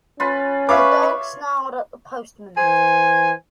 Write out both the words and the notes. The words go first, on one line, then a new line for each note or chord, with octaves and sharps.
The dog snarled at the postman.
C#4 F4 B4
B4 C#5 E5 F5 D6
E3 C5 G#5